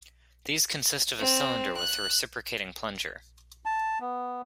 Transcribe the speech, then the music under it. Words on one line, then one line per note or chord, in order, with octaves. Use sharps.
These consist of a cylinder with a reciprocating plunger.
C4
F#6
A5
B3